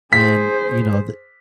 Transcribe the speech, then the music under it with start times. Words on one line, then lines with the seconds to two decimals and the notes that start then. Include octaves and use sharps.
And, you know, the
0.13 G#4 C5 B6